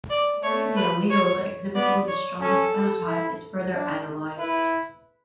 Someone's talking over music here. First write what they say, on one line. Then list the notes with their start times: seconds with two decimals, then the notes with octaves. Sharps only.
Typically, the allele exhibiting the strongest phenotype is further analyzed.
0.10 D5
0.43 A3 C#5
0.76 B4
1.10 C#5
1.75 B3 D5
2.08 C#5
2.41 C#4 A4
3.07 E4
3.73 D4
4.38 E4 B4